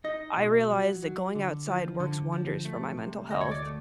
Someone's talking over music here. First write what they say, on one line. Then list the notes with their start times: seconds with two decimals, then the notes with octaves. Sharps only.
I realized that going outside works wonders for my mental health.
0.04 D#4 D#5
0.37 B2
0.69 F#3
1.02 F#3
1.35 D3
1.67 F3
2.00 D3
2.33 F3
2.65 A3
2.97 C3
3.30 D2 D#5
3.41 C#5
3.51 D5
3.63 A3